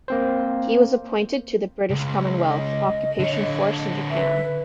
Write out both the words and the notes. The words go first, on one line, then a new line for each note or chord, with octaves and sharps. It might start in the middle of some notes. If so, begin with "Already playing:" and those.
He was appointed to the British Commonwealth Occupation Force in Japan.
A#3 C4 C5
C#2
D#5
D3 C#5
B4 E5